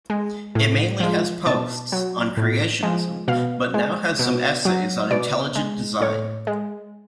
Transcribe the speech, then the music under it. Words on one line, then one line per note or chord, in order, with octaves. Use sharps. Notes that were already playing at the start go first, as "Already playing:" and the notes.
It mainly has posts, on creationism, but now has some essays on "Intelligent design".
G#3
A2
F3 G#3
B2 A5
F#3
A2
F3 G#3
B2 F5
G#3
B2
F#3
B2 D5
G#3
A2 C#5
G#3